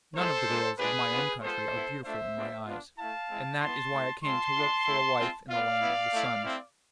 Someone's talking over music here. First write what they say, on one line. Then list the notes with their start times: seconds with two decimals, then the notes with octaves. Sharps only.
'None of the girls of my own country are beautiful in my eyes, and that is why I came to look for a wife in the land of the sun.
0.15 G#3 B3 E4 A4 C5
0.47 G#3 D4 F4
0.78 G#3 D4 F4 G#4 B4
1.10 B3 D4 F4
1.41 G#3 B3 F4 A4 C5
1.72 B3 E4
2.04 A3 D4 F4 C5 E5
2.36 G#3 B3 D4 F4
2.66 B3 D4 F4
2.98 A3 E4 F5 A5
3.29 G#3 C4 E4
3.61 B3 E4 A5 C6
3.93 A3 E4
4.24 G#3 C4 F4 A5 C6
4.56 G#3 D4 F4
4.87 A3 E4
5.18 G#3 C4 F4
5.49 B3 F4 D5 F5
5.81 B3 E4
6.13 A3 E4
6.44 A3 C4 E4